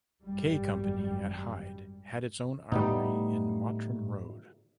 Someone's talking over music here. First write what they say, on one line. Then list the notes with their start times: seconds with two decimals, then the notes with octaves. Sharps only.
K Company at Hyde had its own armoury in Mottram Road.
0.24 G#1 F#2 G3
2.72 A2 G3 A3 B3 D#4